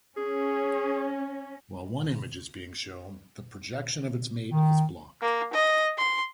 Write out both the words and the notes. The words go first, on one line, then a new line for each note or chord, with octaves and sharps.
While one image is being shown, the projection of its mate is blocked.
C#4 G#4
D#3
A#3
D#5
C6